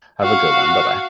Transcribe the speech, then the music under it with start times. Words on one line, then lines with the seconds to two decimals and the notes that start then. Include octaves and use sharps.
Have a good one. Bye-bye.
0.21 F#4 F5